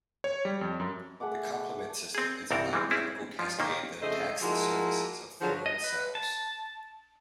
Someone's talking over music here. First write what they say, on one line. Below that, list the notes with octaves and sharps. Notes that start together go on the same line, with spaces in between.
The complement system is a biochemical cascade that attacks the surfaces of foreign cells.
C#5
G3
F2
F#2
A3 G#4 F#5 D6
C4 G#4
C2 G2 E3 C4 A4 A#4
E3 G3 G#3 C4
C4 C#4 E4 G#4
F3 F4
D#2 A#2 D#3 A#3 C5
F2 C#3 A3 C5 D#5
F3 G#3 A#3 E4 F#4
D3 F3 F#3 F#4 G#4 C5
D#5
B4
A5